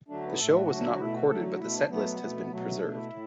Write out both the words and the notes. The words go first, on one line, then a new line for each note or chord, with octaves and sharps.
The show was not recorded but the set list has been preserved.
D3 F#3 A3 D4
B3
A2 A3 A4
F#4
D3 F#3 A3
B2 A3 E4
F#4
D3 F#3 A3 A4
F#4
B2 A3 E4
D4
B2 F#3 A3 B3
B2 A3
B2 F#3 A3
A3
B2 A3 D4
E4
A2